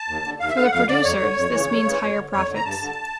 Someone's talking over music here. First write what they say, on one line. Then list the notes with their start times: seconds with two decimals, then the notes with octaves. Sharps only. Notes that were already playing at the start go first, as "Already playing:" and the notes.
For the producers, this means higher profits.
Already playing: A5
0.08 D#2
0.24 D3
0.40 D#2 F5
0.49 E5
0.56 D3 F5
0.64 F#5
0.72 F2 F5
0.88 D3 D5
1.04 F2 C#5
1.20 D3
1.36 F2
1.52 C#3 E3
1.68 F2
1.84 C#3 E3
2.00 F2
2.16 D3
2.32 F2 C#5
2.48 D3
2.55 A#5
2.65 G2 A5
2.81 D3